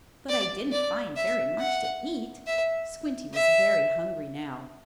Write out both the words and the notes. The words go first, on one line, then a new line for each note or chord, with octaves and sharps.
"But I didn't find very much to eat." Squinty was very hungry now.
D5
D5
E5
F#5
E5
E5